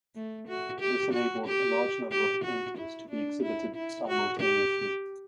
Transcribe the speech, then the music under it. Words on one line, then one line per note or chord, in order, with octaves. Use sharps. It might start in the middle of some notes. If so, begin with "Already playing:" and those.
This enabled a large number of paintings to be exhibited simultaneously.
A3
F#4
G4
F#4
G4
G4
F#4
E4
D4
E4
E4
F#4
G4